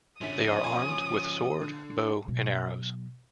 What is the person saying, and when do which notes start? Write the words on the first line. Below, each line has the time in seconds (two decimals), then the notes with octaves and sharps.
They are armed with sword, bow and arrows.
0.21 A#1 D3 F3 C#4 D#6 B6
0.64 G#5 C6 C#6
1.61 D3
2.28 B2 F#3